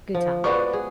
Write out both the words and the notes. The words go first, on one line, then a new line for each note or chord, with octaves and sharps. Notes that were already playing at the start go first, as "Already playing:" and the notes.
Good times.
F3
G#3 B3 F#4 B4 D5 C#6
G#4